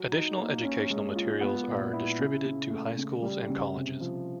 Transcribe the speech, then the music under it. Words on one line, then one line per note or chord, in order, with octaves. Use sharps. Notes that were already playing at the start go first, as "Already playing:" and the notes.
Additional educational materials are distributed to high schools and colleges.
Already playing: F#3
D#4
A#3
C#4
G#3
F4
B3
A#2
E4
C#3
C#3
A3
C#3
G3
C#3
C3
F3